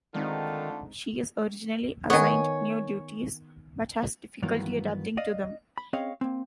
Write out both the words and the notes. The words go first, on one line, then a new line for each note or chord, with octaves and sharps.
She is originally assigned new duties, but has difficulty adapting to them.
D3 D#3 G#3 A3 C4 D4 D#4 F4
D#3 B3 C#5 G#5
G2 D#3 E3 F#3 A#3 B3
D5 D#5 F5
B5
C4 C#4 G#4 C#5 D#5 F5
A#3 C4